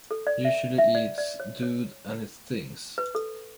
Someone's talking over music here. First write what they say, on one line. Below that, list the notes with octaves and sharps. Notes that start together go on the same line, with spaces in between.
Usually eats Dood and his things.
A4
D5
E5
E5
D5
D5
C#5
C#5
B4
A4